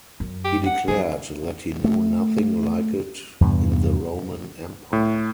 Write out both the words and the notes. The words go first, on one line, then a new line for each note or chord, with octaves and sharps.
He declared that he knew nothing like it in the Roman empire.
F#2
G4
F#5
F#3 G#4
A3
E2 G2 C3 B3
A2